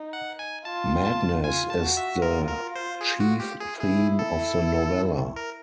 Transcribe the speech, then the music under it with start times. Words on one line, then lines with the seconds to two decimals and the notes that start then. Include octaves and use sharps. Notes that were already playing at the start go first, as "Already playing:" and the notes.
Madness is the chief theme of the novella.
Already playing: D#4
0.13 F#5
0.39 G#5
0.65 F4 A5
1.05 A5
1.44 F4 G#5
1.70 A5
1.83 F#4
1.97 E5
2.22 F4 A#4
2.48 A#4
2.75 C5
3.01 G#4
3.20 F#4
3.40 G4
3.60 G#4
3.79 E4 G#4
4.19 A4
5.36 A#4